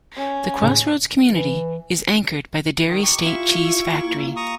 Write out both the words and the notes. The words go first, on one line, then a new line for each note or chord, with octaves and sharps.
The crossroads community is anchored by the Dairy State Cheese factory.
C#4
D#2 A2 C#3
E3
D#3 A#4 D#5
G4 C#6
E4 F4 E5
A#3
A#5 C#6 D#6